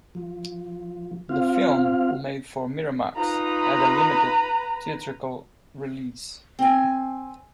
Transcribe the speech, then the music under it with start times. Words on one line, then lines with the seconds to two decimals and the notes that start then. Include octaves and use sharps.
The film, made for Miramax, had a limited theatrical release.
0.15 F3
1.29 C4 F4 F5
3.16 D#4 F4 B4 A#5
6.59 C4 G#5